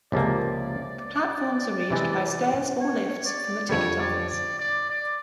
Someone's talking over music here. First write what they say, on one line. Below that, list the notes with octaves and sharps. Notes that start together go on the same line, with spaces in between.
The platforms are reached by stairs or lifts from the ticket office.
C#2 C3 F3 A#3 D5
C3 E3 G#3
C#5
D5
F2 D3 G3 C#5
D5
D5
D5
D5